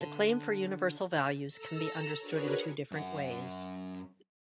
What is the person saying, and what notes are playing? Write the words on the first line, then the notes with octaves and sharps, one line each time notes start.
The claim for universal values can be understood in two different ways.
D3
A4 A#5 E6
D4 F#4 G#4 A#4 B4 C#5
F#2 F#5